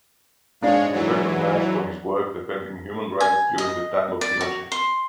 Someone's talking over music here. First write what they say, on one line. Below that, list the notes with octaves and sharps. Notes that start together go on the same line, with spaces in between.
He was recognized for his work defending human rights during the time of Pinochet.
G#2 G#3 D4 C#5 F5
E3 F#3 C#5
G#5
D#5
D5
F#4
C6